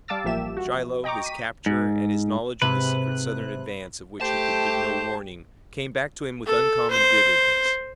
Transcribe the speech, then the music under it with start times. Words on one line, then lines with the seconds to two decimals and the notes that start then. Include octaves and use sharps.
Shiloh, his capture, and his knowledge of the secret Southern advance, of which he could give no warning, came back to him with uncommon vividness.
0.08 G3 F5 A5 D6 E6 A6
0.24 A1 F3 A#3 G4 E5 E7
0.57 F#4
1.04 D#5 G5 A#5 C#6 D6
1.24 B6 D#7
1.66 G#2
2.62 G#2 C3 B4 F#6
4.21 A3 G4 C5 A5
6.46 A4
6.91 C5